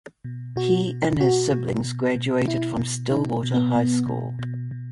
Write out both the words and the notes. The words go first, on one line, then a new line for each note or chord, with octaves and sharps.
He and his siblings graduated from Stillwater High School.
B2
B2 F#4
B2
B2 F#4
B2
B2
B2
B2 E4
B2
B2 D#4
B2
B3
B2
B2
B2
B2